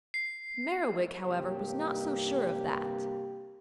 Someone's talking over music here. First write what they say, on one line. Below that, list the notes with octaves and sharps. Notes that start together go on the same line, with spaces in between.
Merriwig, however, was not so sure of that.
C7
G2 C3 A#3 G4